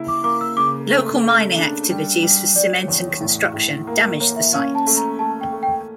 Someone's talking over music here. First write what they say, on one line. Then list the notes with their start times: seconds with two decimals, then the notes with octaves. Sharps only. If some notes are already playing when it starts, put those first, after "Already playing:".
Local mining activities for cement and construction damage the sites.
Already playing: C#3 A#3 E4
0.08 D6
0.24 A#3 D6
0.41 E6
0.57 C#3 D6
0.90 A3
1.23 A3
1.56 D4
1.89 G3
2.23 G3
2.55 G3 D5
2.77 C#5
2.88 E2
2.99 C#5
3.21 A2
3.54 A2
3.87 A#3 A#4
4.04 A#4
4.20 A#3 C#5
4.36 E5
4.53 C#4 F5
4.75 A5
4.87 A3
4.97 A#5
5.19 A3 A5
5.41 G5
5.52 A3
5.63 G5